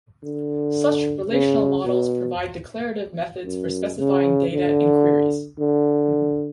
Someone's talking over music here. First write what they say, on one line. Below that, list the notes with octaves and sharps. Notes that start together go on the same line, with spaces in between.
Such relational models provide declarative methods for specifying data and queries.
D3
C#3
B2
F#2
C#3
D3
D3